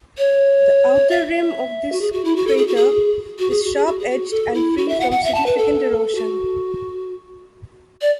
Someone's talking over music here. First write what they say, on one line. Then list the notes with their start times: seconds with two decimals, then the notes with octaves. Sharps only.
The outer rim of this crater is sharp-edged and free from significant erosion.
0.18 C#5
1.10 E5
1.92 F#4
2.01 G#4
2.13 F#4
2.25 E4
2.36 F#4
2.47 A4
2.57 G#4
2.67 F#4
2.76 G#4
3.39 F#4
3.51 G#4
3.64 F#4
3.76 G#4
3.86 F#4
3.99 G#4
4.10 F#4
4.31 A4
4.54 E4
4.77 F#4
4.89 E5
5.00 F#5
5.12 F#5
5.24 E5
5.35 A5
5.46 B4
5.58 A4
6.15 F#4
8.02 D5